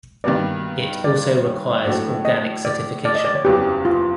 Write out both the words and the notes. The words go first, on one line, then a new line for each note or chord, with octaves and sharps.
It also requires Organic certification.
G2 D#3 G3 B3 D5
D5
C#5
A2 F#3 A3 D4 F#4 D5
D#5
D5
D5
D#5
D5
C#5
F#1 E2 C#3 F#3 B3 G4
F4